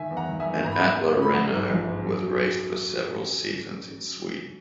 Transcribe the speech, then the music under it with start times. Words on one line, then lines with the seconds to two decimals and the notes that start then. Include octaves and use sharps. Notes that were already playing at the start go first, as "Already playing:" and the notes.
An Atla-Renault was raced for several seasons in Sweden.
Already playing: D#3 E5 G#5
0.11 E2
0.17 F#5 A#5
0.29 D#3
0.40 E5 G#5
0.47 E2
0.63 G#2 A#5
0.72 B5
0.80 A#3 F#5 A#5
0.99 A#3
1.17 C#4
1.22 B5
1.34 A#1 F#5 A#5
1.52 G#2
1.70 A#1
1.87 G#2
2.05 F#2
2.23 F#3